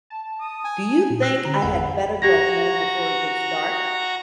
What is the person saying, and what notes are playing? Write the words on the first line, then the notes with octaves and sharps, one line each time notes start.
Do you think I had better go home before it gets dark?
A5
D#6
G#5
A#2
E6 F#6 A#6
D3 A#5
G#1 F2 G#4 F#5 G#5 B5
F#4 G4 A#5 G#6 A#6